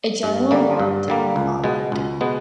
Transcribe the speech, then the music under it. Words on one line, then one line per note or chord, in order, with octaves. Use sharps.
A general rout followed.
G2
D3 G3 A#3
G2
D3 G3 A#3
C#2
B2 G#3 B3
C#2
B2 G#3 B3